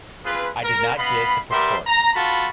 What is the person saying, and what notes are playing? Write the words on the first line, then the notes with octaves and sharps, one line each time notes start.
I did not get the purport.
C4 F4 G#4 B4
A#4
B3 D#5 F5 B5
G3 B3 G4 A#4 E5 C6
A#5
F4 F#4 A4 A5 B5